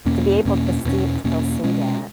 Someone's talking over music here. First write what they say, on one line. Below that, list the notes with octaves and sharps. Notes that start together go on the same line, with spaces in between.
to be able to sti still see that.
E2 B2 A#3 C#4
E2 B2 A#3 C#4
E2 B2 A#3 C#4
E2 B2 A#3 C#4
B2 G#3 C#4